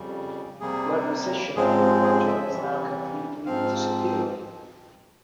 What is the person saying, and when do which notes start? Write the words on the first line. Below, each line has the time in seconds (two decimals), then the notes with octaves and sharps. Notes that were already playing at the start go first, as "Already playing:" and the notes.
Flood recession agriculture has now completely disappeared.
Already playing: F2 C#3 G3
0.60 C3 G3 A#3 G#4
1.56 G#2 F3 G#3 C4 G#4
2.04 G#4
2.27 E5
2.51 C3 E3 G3
3.46 G#2 F3 C4 F5